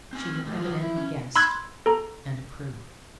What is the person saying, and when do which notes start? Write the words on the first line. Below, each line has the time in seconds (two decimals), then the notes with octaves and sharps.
She had evidently guessed and approved.
0.13 C4 G#5
0.45 D#2 A2
0.59 F4 C#5
0.76 F3 E4
0.97 C#4
1.36 B5 C6 E6 F#6 G#6
1.86 A4 A#5